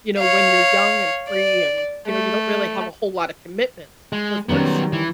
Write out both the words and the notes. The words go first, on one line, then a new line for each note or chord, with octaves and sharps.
you know, when you're young and free and, you know, you don't really have a whole lotta commitments, because once
C#5 F5
D5
A3
G#3
D#3 F#3 G3 B3 C#4
E3